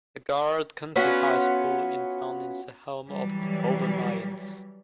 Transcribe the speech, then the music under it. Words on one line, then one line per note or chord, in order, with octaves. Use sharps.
The Garrard County High School in town is the home of the "Golden Lions".
B3 C#4 F4 F#4
E3 F#3 G3